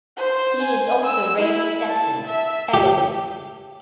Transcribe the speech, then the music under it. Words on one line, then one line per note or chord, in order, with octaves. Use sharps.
He is also Rey's stepson, Elul.
C5
G#5
E6
E4
A5
E5
G4